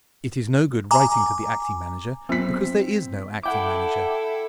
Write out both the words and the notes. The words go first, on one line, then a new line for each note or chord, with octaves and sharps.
It is no good writing to the acting manager, because there is no acting manager.
G#5 A#5 D6
F#3 B3 C4 F4 B6
E4 A4 F#5 G5 D6